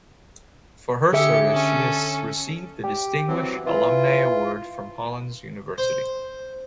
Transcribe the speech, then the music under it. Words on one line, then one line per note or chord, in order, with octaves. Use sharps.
For her service she has received the Distinguished Alumnae Award from Hollins University.
D3 G4 G#4 E5 C#7
C#4 A4
G4
E3 F#3 C4
E3 F4
C5